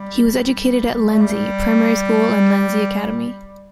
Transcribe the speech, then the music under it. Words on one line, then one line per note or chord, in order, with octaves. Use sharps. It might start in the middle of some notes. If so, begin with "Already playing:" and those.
He was educated at Lenzie primary school and Lenzie Academy.
Already playing: G3
A3
G3